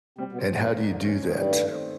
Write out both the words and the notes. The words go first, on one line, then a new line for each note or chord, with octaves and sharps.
and how do you do that?
C3 G3 C4
B2 B3
C4
F2 F3
E2 E3 A#3
D#2 D#3
D#4
D2 D3
E2 E3 C#4
F2 F3
D#3
G2 G3
A3
C4